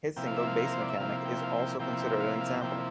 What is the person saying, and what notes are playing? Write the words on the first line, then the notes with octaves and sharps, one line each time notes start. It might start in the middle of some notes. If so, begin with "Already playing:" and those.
His single "Bass Mechanic" is also considered an example.
C3 F3 A#3 E4 G5
F5
E5
F5
A#4
C5
D5
E5
C3 F3 A#3 E4 F5
G5
F5
G5
C3 F3 A#3 E4 G5
G5
F5
F5
C3 F3 A#3 E4 G5